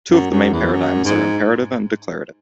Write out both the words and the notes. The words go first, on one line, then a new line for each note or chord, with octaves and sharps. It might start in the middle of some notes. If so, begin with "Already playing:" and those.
Two of the main paradigms are imperative and declarative.
F#2
F#2
E2
F#2
G#2